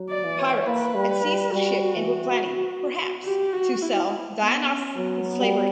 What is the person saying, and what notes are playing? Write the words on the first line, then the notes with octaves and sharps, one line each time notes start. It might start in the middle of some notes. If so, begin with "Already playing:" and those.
Pirates had seized the ship and were planning, perhaps, to sell Dionysus into slavery.
Already playing: F#3
D5
E3
C#5
A#3 B4
G3
G3
G3 F#4
E3
G4
F#4
E4
B3
C#4
F#3 B3
G3